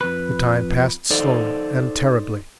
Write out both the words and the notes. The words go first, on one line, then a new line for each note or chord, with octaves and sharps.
The time passed slowly and terribly.
F2 B4
D#4 A4 C5 D5